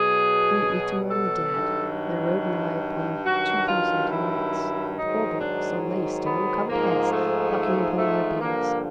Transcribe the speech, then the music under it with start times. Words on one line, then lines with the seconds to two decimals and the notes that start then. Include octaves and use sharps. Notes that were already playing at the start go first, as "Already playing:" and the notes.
Meetly to mourn the dead there rode nigh upon two thousand knights, with hauberks unlaced, and uncovered heads, plucking upon their beards.
Already playing: B2 F#3 G#4
1.10 A4
1.54 G2 D#3 F#3
3.25 G2 D#3 F#3 F#4
3.68 F4
4.11 E4
4.97 G#2 D#3 F#3 D#4
5.40 D4
6.25 B3
6.69 G#2 F3 A#3
7.11 A3
7.97 A3
8.40 G2 D3 F3 A#3